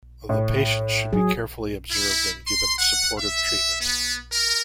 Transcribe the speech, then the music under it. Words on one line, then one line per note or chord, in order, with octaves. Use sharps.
The patient should be carefully observed and given supportive treatment.
A2
F#3 G#4
E4
C6
F#5
E5
B3
A#4